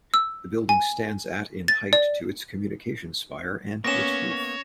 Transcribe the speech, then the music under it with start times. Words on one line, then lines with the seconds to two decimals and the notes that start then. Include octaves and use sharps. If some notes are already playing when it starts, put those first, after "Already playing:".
The building stands at in height to its communications spire and to its roof.
0.14 E6
0.69 G#5
1.68 A6
1.93 D5
3.84 A#3 B3 C#4 C#5 A#6 E7